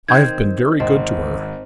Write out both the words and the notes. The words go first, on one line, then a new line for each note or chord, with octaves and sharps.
I have been very good to her.
D#3 C4 G6 G#6
G#1 C4 D#5